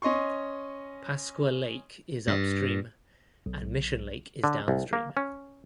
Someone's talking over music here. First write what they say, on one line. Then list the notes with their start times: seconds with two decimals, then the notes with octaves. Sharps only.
Pasqua Lake is upstream and Mission Lake is downstream.
0.02 C#4 D#5 C6 C#6
2.27 G2
3.46 B1
4.44 D3
4.68 C2
4.93 A#3
5.17 C#4